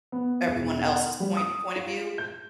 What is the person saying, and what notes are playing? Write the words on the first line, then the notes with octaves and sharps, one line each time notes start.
everyone else's point point of view,
B3
E1
F#5
G3
D#6
F4
G6